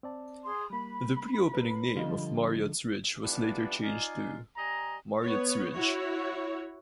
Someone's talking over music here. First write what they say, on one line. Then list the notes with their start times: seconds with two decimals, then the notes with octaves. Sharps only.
The pre-opening name of Marriott's Ridge was later changed to Marriotts Ridge.
0.03 C4 D5 A5
0.43 G#4 C6
0.70 G3 A#3 B5
1.54 B4 A#5
1.96 D3 F3 G3 F4 A4 D#5
3.22 E3 G3 B3 D4 F4
3.82 D#4 F4 D5 G#5
4.57 G3 D#5 G#5 A#5
5.22 B3 C#5
5.73 E4 F#4 C#5